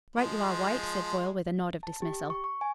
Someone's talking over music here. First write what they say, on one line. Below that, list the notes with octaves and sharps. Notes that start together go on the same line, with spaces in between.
"Right you are, White," said Foyle with a nod of dismissal.
F3 G#3 C6
A5
G4
C#6
C#6
G#5